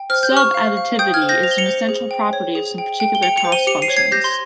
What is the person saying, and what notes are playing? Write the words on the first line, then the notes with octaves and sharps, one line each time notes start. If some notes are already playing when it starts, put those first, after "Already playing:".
Subadditivity is an essential property of some particular cost functions.
Already playing: G5
C5 F6
G6
G4 C#6 F6
F5
F5
G5 D#6 G6
F6 G#6
C5
G6 A#6
C5 F7
G7
C#7 F7
C5
G#4
G5
C#5
G#4
G5
G5
G7
G5 C#7 F7
C#7 F7
C5
D#7 G7
G4 C#7 F7
C7 D#7
C#5
G#6 C7
G4 G6 A#6
C6